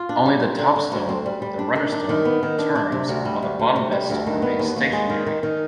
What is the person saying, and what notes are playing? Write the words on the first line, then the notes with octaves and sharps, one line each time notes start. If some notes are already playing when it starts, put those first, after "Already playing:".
Only the top stone, the runner stone, turns, while the bottom bedstone remains stationary.
Already playing: F4
D4
G3
C4
D3
D3
D2
C4
G3
G3
D4
D#3
D4
D#3
B3
D#3
D4
D4
C3
D2
G3
D2
D2
C3
G3
D2
D#3
B3
D#2
D#2
G#3
D#3
D#3
D#3